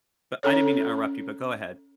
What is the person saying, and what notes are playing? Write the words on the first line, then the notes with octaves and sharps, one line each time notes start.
but I didn't mean to interrupt you but go ahead.
C#4 A4 C#5